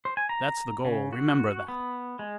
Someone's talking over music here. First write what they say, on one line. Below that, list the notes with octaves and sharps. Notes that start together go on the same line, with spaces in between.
That's the goal, remember that!
C5
G#5
A#5
C#3
F#4
B3
G#3